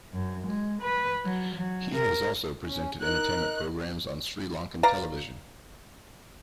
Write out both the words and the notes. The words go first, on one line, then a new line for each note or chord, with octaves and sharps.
He has also presented entertainment programmes on Sri Lankan television.
F#2
G#3
B4
F#3
F#3
A#4
C#4
D#4 A#4 F#6
B4 D5 F5 A#5